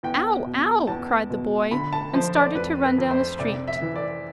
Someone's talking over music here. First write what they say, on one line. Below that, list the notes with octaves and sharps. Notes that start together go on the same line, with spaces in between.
"Ow, ow!" cried the boy, and started to run down the street.
E2 G5
B2
E2 A5
B2
D3 B5
A5
F3 C5
D5
F2 B4
B4
F2
C5
C3 D5
E5
E3
D5